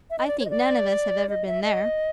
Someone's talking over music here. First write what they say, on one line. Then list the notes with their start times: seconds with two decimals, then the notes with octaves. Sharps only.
I think none of us have ever been there.'
0.11 E5
0.19 D#5
0.28 D5
0.39 C#5
0.45 D#5
0.50 D5
1.29 D#5
1.47 E5
1.63 D#5